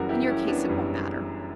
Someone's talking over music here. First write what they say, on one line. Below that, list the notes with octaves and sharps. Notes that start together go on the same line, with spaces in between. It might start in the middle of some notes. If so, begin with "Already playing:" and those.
In your case, it won't matter.
Already playing: F#1 F#2 E3 G3 F#4 A#4
E4 G4
C#4 E4
B3 D4
F#1 F#2 E3 G3